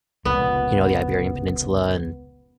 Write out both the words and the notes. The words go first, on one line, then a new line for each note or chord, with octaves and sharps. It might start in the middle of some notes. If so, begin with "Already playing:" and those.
you know, the Iberian Peninsula and
F1 C#2 A#2 B3